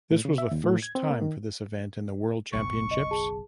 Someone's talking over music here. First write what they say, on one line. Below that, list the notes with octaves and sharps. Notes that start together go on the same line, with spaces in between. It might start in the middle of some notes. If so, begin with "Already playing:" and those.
This was the first time for this event in the World Championships.
A2
C#3
E5
D#2
A2
G#6
C4
A#3
D#3
F#1 B1 B2 C#6
D#5
G#4 A5